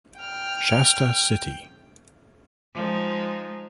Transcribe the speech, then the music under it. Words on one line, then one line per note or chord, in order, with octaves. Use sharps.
Shasta City.
G5 F6
F3 G#3 D#4